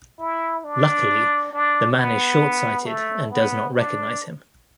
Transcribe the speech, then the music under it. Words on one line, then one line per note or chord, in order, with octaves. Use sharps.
Luckily, the man is short sighted and does not recognise him.
E4
D4
D4
B3
A3
B3
D4